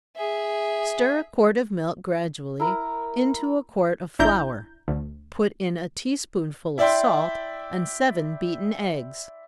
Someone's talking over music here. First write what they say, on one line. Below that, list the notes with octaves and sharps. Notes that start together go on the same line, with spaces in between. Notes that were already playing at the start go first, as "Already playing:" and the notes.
Stir a quart of milk gradually into a quart of flour--put in a tea-spoonful of salt, and seven beaten eggs.
G#4 E5
E4 A#4 A#5
G#1 D4 E4 A#5 G6
D2
E4 D5 E5 G5 C6